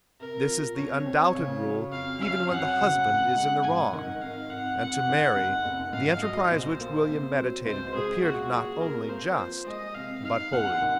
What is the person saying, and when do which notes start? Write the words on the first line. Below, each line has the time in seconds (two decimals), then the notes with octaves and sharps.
This is the undoubted rule even when the husband is in the wrong; and to Mary the enterprise which William meditated appeared not only just, but holy.
0.20 C3 A#4
0.49 F3
0.77 C2 C#5
1.06 C4
1.35 C#3
1.63 F#3
1.92 F2 F5
2.20 C#4 F5
2.50 F#2 F#5
2.78 C#3
3.07 G#1
3.35 G#3
3.64 G#2 G#5
3.93 D#3 F#5
4.21 G#1 F5
4.50 G#1 F#5
4.78 F2 F#5
5.08 D#3
5.36 F#1
5.65 F#1
5.93 G#2 F5
6.22 F#3 D#5
6.51 A#1 C5
6.80 A#3
7.09 C3
7.37 F#3
7.65 C#2 C5
7.95 C#2 G#4
8.23 A#2 F#4
8.51 F#3 G#4
8.80 C2 A#4
9.09 A#3 C5
9.37 F3 C5
9.66 G#3 D#5
9.94 C3 F5
10.24 D#4 F5
10.52 D#2 F#5
10.81 D#3